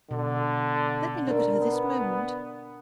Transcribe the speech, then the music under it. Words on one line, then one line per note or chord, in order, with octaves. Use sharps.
Let me look at her this moment.
B2 D3
D4 A#4
B3